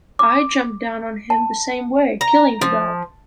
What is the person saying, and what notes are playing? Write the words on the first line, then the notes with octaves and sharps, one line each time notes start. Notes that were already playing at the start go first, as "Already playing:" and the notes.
I jumped down on him the same way, killing the guy.
D6
A5
A#5
F3